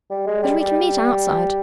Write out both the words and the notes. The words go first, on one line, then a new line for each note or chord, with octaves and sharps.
But we can meet outside.
G3
G#3
G3
G3